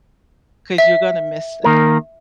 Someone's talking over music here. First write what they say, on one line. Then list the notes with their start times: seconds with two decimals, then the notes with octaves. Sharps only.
'cause you're gonna miss that.
0.78 E5
1.64 D#3 A#3 A#4